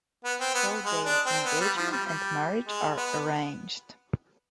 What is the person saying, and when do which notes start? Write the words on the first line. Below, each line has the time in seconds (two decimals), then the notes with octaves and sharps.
So their engagement and marriage are arranged.
0.24 B3
0.40 C4
0.54 B3
0.85 G#3
1.05 D4
1.26 C4
1.45 B3
1.60 G3
1.76 F3
1.91 G3
2.06 G3
2.67 G#3
2.96 B3